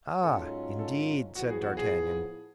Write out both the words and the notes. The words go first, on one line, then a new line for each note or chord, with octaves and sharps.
"Ah, indeed," said d'Artagnan.
G#2 F#3 C#4 F4 A4
A4
A2 F3 B3 F#4
G#4
F#4
G#4